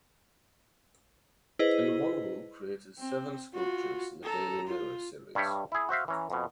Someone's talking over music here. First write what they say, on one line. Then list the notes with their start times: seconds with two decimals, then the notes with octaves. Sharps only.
Enwonwu created seven sculptures in the "Daily Mirror" series.
1.59 E4 G#4 B4 C5 D#5
2.99 C4
3.54 F4 F#4
4.24 A4 A#5
4.67 F4
5.35 G2 G3 C#5 E5 G5
5.72 E4 G#4
5.89 F#4 C5 E5 F5
6.08 E3 C#4 A#5
6.30 F2 B2